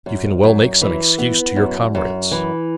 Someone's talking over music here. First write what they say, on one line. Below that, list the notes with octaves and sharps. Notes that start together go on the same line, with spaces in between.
You can well make some excuse to your comrades.
F#2
F#2
E3
B3
F#2
F#2
E3